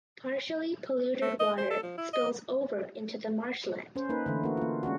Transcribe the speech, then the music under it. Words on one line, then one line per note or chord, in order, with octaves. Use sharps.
Partially polluted water spills over into the marshland.
A3
D#5
C5
A4
F3
E4
D#5
C#4 C5
A#3 D#4 B4
D3 E3 A3
A#3 F#4
A#3 F4
G#3 C#4 D4 F#4